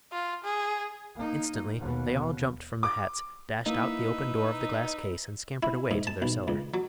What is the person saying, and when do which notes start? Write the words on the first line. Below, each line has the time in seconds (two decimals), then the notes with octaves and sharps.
Instantly they all jumped from the hats, dashed out the open door of the glass case and scampered away to their cellar.
0.12 F4
0.43 G#4
1.16 A#3 D#4
1.79 D#2 B2
2.83 D6
3.66 A#3 D#4 E4 B4 E5
5.63 E4
5.91 G#2
6.07 A5
6.22 B1
6.48 C#2
6.74 F#3